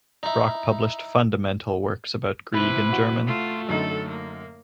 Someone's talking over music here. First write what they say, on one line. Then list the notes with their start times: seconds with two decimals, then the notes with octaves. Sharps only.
Brock published fundamental works about Grieg in German.
0.23 D#4 E4
2.53 C3 E4 B4
2.92 F#4
3.27 A3 F4
3.69 F#2 D3 D#4 A4
4.08 A#3